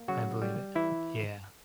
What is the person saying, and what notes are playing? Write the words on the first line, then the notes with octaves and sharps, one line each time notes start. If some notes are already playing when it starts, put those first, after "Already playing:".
I believe it. Yeah.
Already playing: A#3
C#3 F#3 F#4
G3
E3 E4